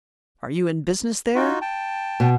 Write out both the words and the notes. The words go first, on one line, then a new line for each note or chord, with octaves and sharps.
"Are you in business there?"
D#4 F4 F#4
G5 A5
B2